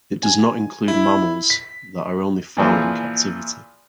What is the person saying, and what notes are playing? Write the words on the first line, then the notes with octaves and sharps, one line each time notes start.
It does not include mammals that are only found in captivity.
G#5
E4
B6
A#2 E3 F3 G#4